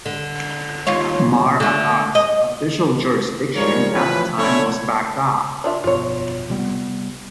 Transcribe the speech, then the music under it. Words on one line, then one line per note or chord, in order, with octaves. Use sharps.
Mar Addai's official jurisdiction at the time was Baghdad.
D3
D#2 F4 C#5
D3 A3
D#5
G#2 F3 G3 A#4 C#5
A2 E3 F3 C#4 B4
F2 D3 A3 C#4 E4 C#5
D4 F4 E5
G1 F2 B2 F4 C#5
C3 G3 B3